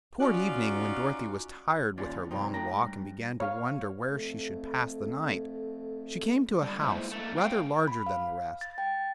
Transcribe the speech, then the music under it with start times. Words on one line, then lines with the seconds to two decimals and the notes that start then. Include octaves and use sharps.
Toward evening, when Dorothy was tired with her long walk and began to wonder where she should pass the night, she came to a house rather larger than the rest.
0.20 C#4 D#4 F4 F#4 D5
1.98 D#2 C#4 F4 C#5 D5
2.31 C3 F#3 C4 D#4
2.54 A3 G5 A#5
2.77 G2
3.40 C#5 F5
4.08 F2 A3
6.62 D3 G3
6.80 G#3 A#3 E4 C5 E5
7.11 A3 A#3
7.37 G#2 F5 G5
7.88 B5
8.06 F5
8.61 A6
8.78 G5